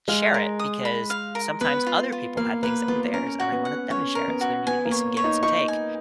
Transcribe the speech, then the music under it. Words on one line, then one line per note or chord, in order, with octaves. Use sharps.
share it, because sometimes other people had things that were theirs, and I wanted them to share it, so there needed to be some give and some take,
G#3 F5
A#4
D#6
B5
F5
A#4
B3 B4
F4
F4
A#3 F5
A#3 B4
B3 F4
C#4 A#4
F#4
B3
F#5
C#4 C#5
A#4
B3
F#4
B3 G#5
A#3
C#5
C#5
D#4
D#4 C#6
G#5